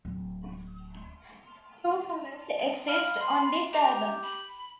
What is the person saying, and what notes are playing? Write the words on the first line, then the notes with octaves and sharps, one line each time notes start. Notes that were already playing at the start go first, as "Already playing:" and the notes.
Two covers exist on this album.
D1
F5 B5
C6
G4 A#5
B5